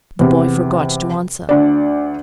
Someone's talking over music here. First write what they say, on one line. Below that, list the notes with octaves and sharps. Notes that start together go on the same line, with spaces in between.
The boy forgot to answer.
E2 C3
D2 D5